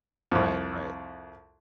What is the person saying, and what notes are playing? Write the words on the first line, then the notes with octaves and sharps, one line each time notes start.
Right, right.
C2 F2